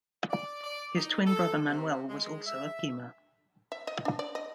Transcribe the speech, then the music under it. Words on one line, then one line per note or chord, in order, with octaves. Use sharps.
His twin brother Manuel was also a "Puma".
D5
D5
D#4
A4
C3
G#3
E5
E5
D#5
D4
D5
D#5